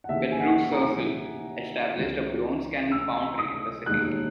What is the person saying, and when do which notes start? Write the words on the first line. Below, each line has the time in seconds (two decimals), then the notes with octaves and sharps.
Petru Cercel established a bronze cannon foundry in the city.
0.04 F#5
0.09 D#2 C#3 E3 E5
0.32 G#5
0.40 F#5
0.72 A#5
1.97 C#2 C#3 E3 G#3
2.92 E6
3.39 D#6
3.86 E1 D#2 D#3 G#3 F#6